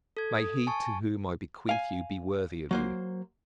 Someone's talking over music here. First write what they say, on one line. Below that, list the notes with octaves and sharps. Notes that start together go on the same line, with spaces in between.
May he to whom I bequeath you be worthy of you!
A4 G#6
D#6
G#5 A5 C#6
F5 G#5
F#3 A#3 C5